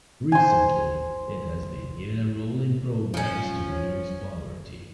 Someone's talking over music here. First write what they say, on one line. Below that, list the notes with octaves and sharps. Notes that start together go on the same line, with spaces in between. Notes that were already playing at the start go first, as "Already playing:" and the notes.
Recently, it has been given a role in programs to reduce poverty.
C5 G#5
F3 C#4